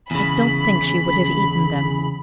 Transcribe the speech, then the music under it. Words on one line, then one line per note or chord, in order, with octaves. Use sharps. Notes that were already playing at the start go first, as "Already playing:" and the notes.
I don't think she would have eaten them.
E2 C#3 B5